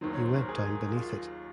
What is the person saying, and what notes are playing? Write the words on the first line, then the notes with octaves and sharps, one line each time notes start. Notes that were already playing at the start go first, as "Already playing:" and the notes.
He went down beneath it.
D#2 D#3 F#3 C5
C#5
C5
A#4
G#4
F4